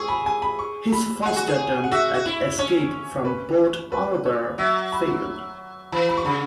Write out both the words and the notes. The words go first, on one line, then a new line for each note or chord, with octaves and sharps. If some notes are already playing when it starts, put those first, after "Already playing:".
His first attempt at escape from Port Arthur failed.
Already playing: G#4 G#5 C#6
B5
G#5
B5
C#6
B5
G#4 F#5
F#4
G#4
F#5
F#4 E5
F#4
E4
C#4 C#5
B4
B4
C#5
F#3 E5
B5
E3 B5
B5
C#6
C#3 B5